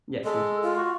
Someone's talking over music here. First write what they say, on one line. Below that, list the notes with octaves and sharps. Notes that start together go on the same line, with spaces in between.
Yes, me too.
G#3 A4
F4
F#4